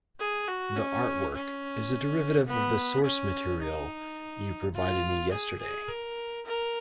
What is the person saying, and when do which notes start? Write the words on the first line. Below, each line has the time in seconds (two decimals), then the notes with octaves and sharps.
The artwork is a derivative of the source material you provided me yesterday.
0.20 G#4
0.48 F#4
0.77 C#4
1.34 C#4
2.47 B3
3.05 C#4
3.62 D#4
4.75 F4
5.32 G#4
5.59 G#4
5.88 A#4
6.45 A#4